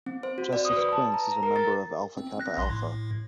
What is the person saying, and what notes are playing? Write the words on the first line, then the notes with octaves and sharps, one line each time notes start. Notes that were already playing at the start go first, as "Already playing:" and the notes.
Justice Quince is a member of Alpha Kappa Alpha.
C4
C5
F#4
D5
D#6
B4
A5
A#5
A#5
A#4
A6
C4
F#6 A#6
A#1 C6
A2